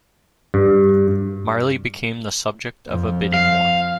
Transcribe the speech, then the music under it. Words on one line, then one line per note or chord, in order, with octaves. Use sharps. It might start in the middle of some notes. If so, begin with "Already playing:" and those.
Marley became the subject of a bidding war.
G2
F2 F3
F5